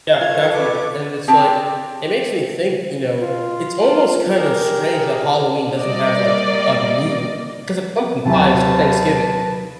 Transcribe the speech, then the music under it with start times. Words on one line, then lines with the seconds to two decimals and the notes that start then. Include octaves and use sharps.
Yeah, definitely, and it's, like it makes me think, you know it's almost kind of strange that Halloween doesn't have, like, a meal, 'cause, uh, pumpkin pie's for Thanksgiving.
0.21 F4 A4 B4 C#6 G#6
0.54 D6
1.28 C4 G4 G#4 G5 A5
3.22 F4
4.37 G4 G#4 A#4
5.78 G3 A#3 D5 D#5
8.25 D#2 C3 F#3 B4 A5